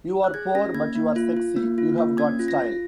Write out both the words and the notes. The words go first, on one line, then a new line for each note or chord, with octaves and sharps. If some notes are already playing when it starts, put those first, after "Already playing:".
You're poor but you're sexy, you've got style.
F#6
G#4 G#6
C#4 A#6
A#3 G#6
A#3
F4
F4
A#3
F4
A#3
C#4 G#6
F4
A#6
F4